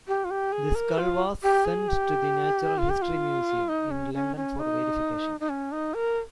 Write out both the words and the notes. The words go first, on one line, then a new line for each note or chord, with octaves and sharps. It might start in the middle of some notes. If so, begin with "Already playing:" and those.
The skull was sent to the Natural History Museum in London for verification.
G4
F4
G4
G#4
A#4
F4
G4
G#4
G4
F4
G4
F4
D#4
C#4
C#4
C#4
D#4
D#4
C#4
D#4
A#4